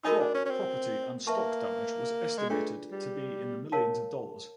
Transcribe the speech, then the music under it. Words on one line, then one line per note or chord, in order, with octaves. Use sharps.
Crop, property and stock damage was estimated to be in the millions of dollars.
D#4 F#4 A#4 D#5 G#5 B5
D4
C#4
C#4
C4
A#3 B4 E5 A5 C#6
G#3
A3 D4 F4 G#4 B4 D5
G3
A#4 C#5 F5 A5